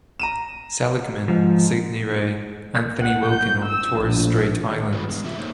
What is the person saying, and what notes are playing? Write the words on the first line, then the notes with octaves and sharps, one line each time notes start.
Seligman, Sidney Ray, Anthony Wilkin on the Torres Strait Islands.
A#5 D#7 E7
G#2 F3
F#5
G6
E6
A#1
D#3
G3 F4 G#4 B4
E2 B2 G#3
C3 E3 F4 F#4 E5
A3 A#3 D#4 C5 C#5